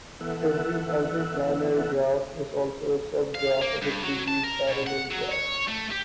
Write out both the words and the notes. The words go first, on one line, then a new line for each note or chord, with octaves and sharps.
Every outerplanar graph is also a subgraph of a series-parallel graph.
E3 B3 A4 E5 F#5
F5
A#3
G2
F#3
A5
A#4
B2
F#5
F#3
C#5
A3
G4